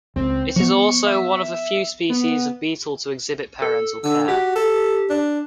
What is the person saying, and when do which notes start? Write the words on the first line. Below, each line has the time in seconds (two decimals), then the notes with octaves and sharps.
It is also one of the few species of beetle to exhibit parental care.
0.16 C#2 C4
0.56 F3 B3 C#6
1.06 E5
2.10 B3
3.62 A4
4.04 D3 E6
4.28 F#4 G4
4.55 A4
5.10 D4